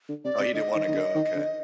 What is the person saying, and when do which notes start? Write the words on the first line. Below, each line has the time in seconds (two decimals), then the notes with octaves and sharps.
Oh, he didn't wanna go, okay.
0.09 D3
0.25 C3 D5
0.39 C3
0.54 D3 D#5
0.75 D#3
0.88 D#3
0.94 D3
1.15 D#3
1.35 D3